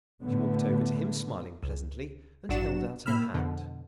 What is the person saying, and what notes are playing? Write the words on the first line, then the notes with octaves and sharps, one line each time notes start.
She walked over to him, smiling pleasantly, and held out her hand.
A2 D3 A3 B3
C#2
A1 G2 F#3 D4 F#4 E7
A2 A#3 B5 E6 F6
F2 B2 D3